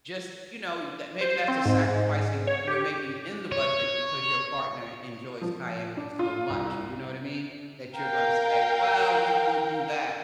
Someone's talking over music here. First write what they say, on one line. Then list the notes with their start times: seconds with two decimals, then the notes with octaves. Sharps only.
just, you know, tha maybe that's a sacrifice that you you're making in the budget because your partner enjoys kayaking so much, you know what I mean? That you're gonna say, "Well, we will do that
1.21 C5
1.48 C4
1.65 G#2
2.47 C#5
2.68 G4
3.52 C#5
5.41 F3
5.97 D4
6.19 F4
6.50 C2
7.95 A#4 F5 G5